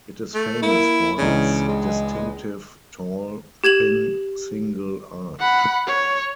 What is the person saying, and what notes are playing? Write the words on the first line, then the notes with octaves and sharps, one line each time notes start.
It is famous for its distinctive tall thin single arch.
A3
A#3 E4
C#2 C#3 E3 D4
G#3
G4 G#6 E7 F#7
F#5 B5
C#5